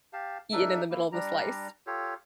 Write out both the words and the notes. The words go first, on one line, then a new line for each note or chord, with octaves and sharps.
eaten in the middle of the slice.
G4 F5 A5
D4 D#4 A4 E5
A#3 E4
G3 D4 A#5
F4 G4 A4 C#5